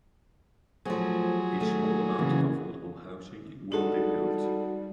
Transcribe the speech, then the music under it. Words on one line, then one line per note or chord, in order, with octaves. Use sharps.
A small amount of affordable housing will be built.
F3 F#3 A3 C4 G#4
D#3 A3
C#3 E3 A#3
G3 G#3 D#4 F#4 A4 F#5